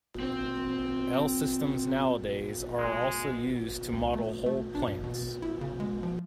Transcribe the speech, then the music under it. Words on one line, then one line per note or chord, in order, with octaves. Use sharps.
L-systems nowadays are also used to model whole plants.
C4 C5
G#3
C#2
A3
A3
D4
G2
B2
E4
C#3
G#3
F3